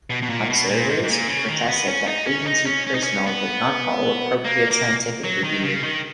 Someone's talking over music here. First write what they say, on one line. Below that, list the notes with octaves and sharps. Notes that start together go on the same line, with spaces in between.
Observers protested that agency personnel did not follow appropriate scientific review.
B2
B2
A#2
B2
A#2
G#2
G#2
A#2
C#3
D#3
B3
C#4
D#4
C#4
D#4
C#4
C#4
D#4
C#4
B3
A#3
A#3
F#3
D#3
C#3
D#3